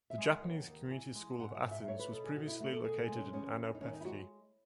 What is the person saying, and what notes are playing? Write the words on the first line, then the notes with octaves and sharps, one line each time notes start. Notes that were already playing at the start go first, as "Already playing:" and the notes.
The Japanese Community School of Athens was previously located in Ano Pefki.
E5
G#3
F#5
D#2
D#2
E3
G#3
G#2 F#5
F#5
G#2
E5
A3 C#5
B4
B2 A4
G#4
B2 F#4
E4
A3 F#4
A4
B2 G#4
G#4
G#3 B3
C#4
E2 C#4
E2
D#4
D#3 C#4
D#4
E4
G#3 F#4